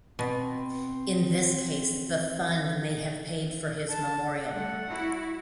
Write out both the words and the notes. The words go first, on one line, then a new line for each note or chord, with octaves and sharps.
In this case the fund may have paid for his memorial.
B2 C4
A5
G3 A3 A4 F#5
E4 F#4